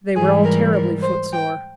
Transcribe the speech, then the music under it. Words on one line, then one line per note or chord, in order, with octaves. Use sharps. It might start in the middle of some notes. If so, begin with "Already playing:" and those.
They were all terribly footsore.
G#2 E3 G3 G#4
A#4
A#4
C5
G5